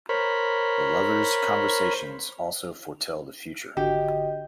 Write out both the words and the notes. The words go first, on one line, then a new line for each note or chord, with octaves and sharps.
The lovers' conversations also foretell the future.
A#4 C5 C#5 B5
G#1 D3 F#4 G4 D#5